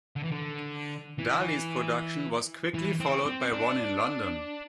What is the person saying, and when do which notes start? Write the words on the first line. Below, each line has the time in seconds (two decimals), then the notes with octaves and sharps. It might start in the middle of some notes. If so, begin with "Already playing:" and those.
Daly's production was quickly followed by one in London.
0.16 D3
0.23 E3
0.31 D3
1.19 E3
2.74 E3
3.00 C4
3.26 C4
3.53 D4